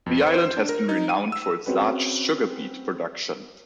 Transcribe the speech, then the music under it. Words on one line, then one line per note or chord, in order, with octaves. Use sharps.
The island has been renowned for its large sugar beet production.
F2
C5
C5
D4
A#4
D#4
D#7
E6
C4 C#4 F#4 G#4 B4